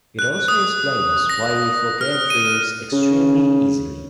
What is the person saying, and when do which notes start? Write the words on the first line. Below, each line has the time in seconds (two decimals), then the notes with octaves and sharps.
It also explains why we forget dreams extremely easily.
0.19 F#6
0.48 D#6
1.29 A#6
2.01 F6
2.30 D#7
2.92 C#3